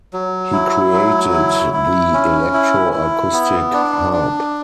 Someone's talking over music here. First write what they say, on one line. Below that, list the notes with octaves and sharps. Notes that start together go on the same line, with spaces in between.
He created the electro-acoustic harp.
F#3
E4
F#3
E4
E4
C#4
E4
E4
B3
D4
D4